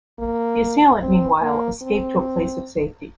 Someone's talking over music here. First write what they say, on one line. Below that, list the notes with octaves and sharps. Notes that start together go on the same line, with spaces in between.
The assailant meanwhile, escaped to a place of safety.
A#3
C4
A#3
C4